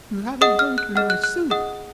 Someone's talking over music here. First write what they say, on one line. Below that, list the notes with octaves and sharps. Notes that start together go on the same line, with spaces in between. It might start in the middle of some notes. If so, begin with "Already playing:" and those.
"You haven't drunk your nice soup."
G#4 D#5 F#5 D#6
F6
F#6
G#4 D#5 F#5 F6
F#6
F#6
G#4 D#5 F#5 D#6